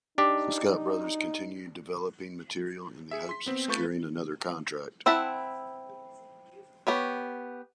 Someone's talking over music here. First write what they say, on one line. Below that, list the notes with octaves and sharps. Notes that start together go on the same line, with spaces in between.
The Scott brothers continued developing material in the hope of securing another contract.
D4 D#4 G4 D6
G#4 E5
C6 B6
B3 C4
A3 F4 B4 C#6 G6 A6
C4 E4 F#5 A5 B5
B3 G4 C#5